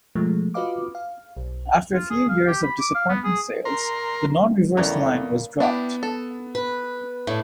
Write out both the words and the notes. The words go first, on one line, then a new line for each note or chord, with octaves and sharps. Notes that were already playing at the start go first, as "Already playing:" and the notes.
After a few years of disappointing sales, the "non-reverse" line was dropped.
B2 F3 G#3 A3
F4 F#4 B4 D#5 F5 D6
F5
B1
F4
G#4
F5
G4
B5
D6
F5
B3
G#4
A#4 C6
E2 A2 C#3 A#3 D#4 C#5 D5 G#5
B3 D4 E4 G4
A4
B4
A2 D4 E4